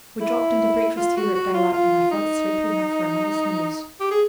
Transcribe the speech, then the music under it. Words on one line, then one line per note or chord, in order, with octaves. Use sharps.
We dropped in to breakfast here at daylight, and I felt sleepy enough for another snooze.'
E4
F4
F#4
F#4
F4
F4
D#4
G4
G#4